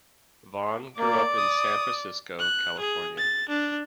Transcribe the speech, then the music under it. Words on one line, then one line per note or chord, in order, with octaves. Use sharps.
Vaughn grew up in San Francisco, California.
A#3 D5
D#6
F#6
G#4
A6
D4